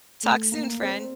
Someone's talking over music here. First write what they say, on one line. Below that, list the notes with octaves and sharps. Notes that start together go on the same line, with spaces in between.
Talk soon, friend.
A3
A#3
C4